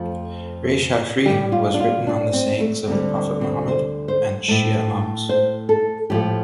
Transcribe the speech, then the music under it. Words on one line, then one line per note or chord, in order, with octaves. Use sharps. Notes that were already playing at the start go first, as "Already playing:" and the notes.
Reyshahri has written on the sayings of the prophet Mohammad and Shia Imams.
Already playing: F2 F3 A3
A2 G3 G4
F4
D4
F4
D4
C4
A3
D2 D3 G3 C4
C4
C4
C5
C5
A2 A3
C5
A4
A2 F3 A3 G4